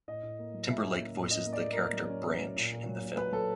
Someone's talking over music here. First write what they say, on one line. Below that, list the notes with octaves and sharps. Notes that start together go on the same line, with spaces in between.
Timberlake voices the character "Branch" in the film.
A2 D#5
A2
A#3
F#3
A#3 E5
C#4
A#3
A2
C#4 D#5
A#3
D5
A#3
A#4
A#3
F#3
C#4
C#4
F#3
A#2
A#2
F#3
A#2
F#3 B4
F#3 A4